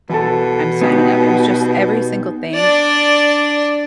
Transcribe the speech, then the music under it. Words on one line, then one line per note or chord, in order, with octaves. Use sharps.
I'm signing up." It was just every single thing
E2 B2 A4
B3 D#4 G4
D4 D5